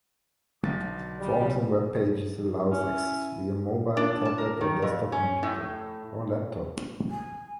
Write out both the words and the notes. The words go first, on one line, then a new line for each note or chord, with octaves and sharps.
Forms in webpages allows access via mobile, tablet or desktop computer or laptop.
B1 D3 A6
G3
C#4 E4
D4
A5
A#4
D#3
F2
C#4
A2
G#5